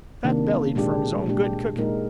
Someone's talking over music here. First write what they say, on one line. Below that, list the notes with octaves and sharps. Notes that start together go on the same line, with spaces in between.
Fat-bellied from his own good cooking.
C3 D#3 A#3 D4
A#2 G#3 D4 G4
A#2 G#3 D4 G4
A#2 G#3 D#4 A#4